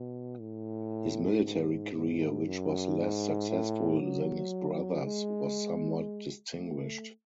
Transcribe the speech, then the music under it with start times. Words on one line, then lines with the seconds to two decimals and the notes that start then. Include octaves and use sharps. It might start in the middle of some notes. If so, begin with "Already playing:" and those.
His military career, which was less successful than his brother's, was somewhat distinguished.
Already playing: B2
0.40 A2
1.43 G#2
1.94 G#2
2.46 F#2
2.97 G#2
3.49 A2
4.00 F#3
5.03 G#3
6.56 A3